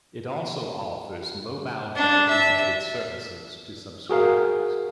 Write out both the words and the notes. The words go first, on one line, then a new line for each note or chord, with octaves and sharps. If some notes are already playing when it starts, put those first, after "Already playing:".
It also offers Mobile Value Added Services to subscribers.
D4
E5
F#4 G#4 A#4 F5